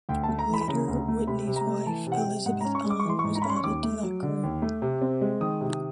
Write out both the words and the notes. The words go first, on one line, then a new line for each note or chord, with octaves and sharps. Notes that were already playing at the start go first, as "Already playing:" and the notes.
Later, Whitney's wife, Elizabeth Ann, was added to that group.
D2 G5
A5
A3
A#5
E3 B5
B5
C#3 A#5
D2
A3
C3 B5
C3
A#5
A3
E3 A5
C3
F#5
G5
C3
G#2 F#5
C#4 A#5
C#6
G#3 D6
C#6
E3 C6
C#6
G#2
A#5
B5
C#4 C6
C#6
D#2 D6
A3
F#3
D3
D#2
A3
C3
C4
G#3
D#3 D#6
C3